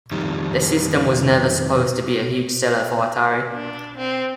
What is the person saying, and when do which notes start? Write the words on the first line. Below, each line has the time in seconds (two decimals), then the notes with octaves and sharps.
The system was never supposed to be a huge seller for Atari.
0.11 F2 D#3 G3
3.52 D4
3.98 C4